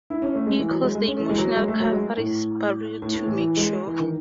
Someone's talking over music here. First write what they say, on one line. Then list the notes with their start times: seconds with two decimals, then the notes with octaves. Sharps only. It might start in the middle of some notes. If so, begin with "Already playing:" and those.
He calls the Emotional Catharsis Bureau to make sure.
0.10 E4
0.22 C#4
0.35 A3
0.47 G#3
0.59 E3
0.71 F#3
0.83 G#3
0.95 G#3
1.07 C#4
1.19 E3
1.29 G#3
1.38 F#3
1.56 G#3
1.68 A3
1.80 F#3
1.92 G#3
2.17 A2
3.02 A2
3.14 A2
3.26 E3
3.39 E3
3.57 G#3
3.87 E3
4.00 D#3